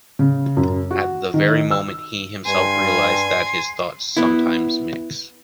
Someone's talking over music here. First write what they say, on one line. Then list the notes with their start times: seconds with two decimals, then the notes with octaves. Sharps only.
At the very moment he himself realized that his thoughts sometimes mix.
0.19 C#3
0.57 F#2
0.91 F#4
1.34 D#3
1.71 E6
2.46 G2 G#5 C6
4.17 B3 E4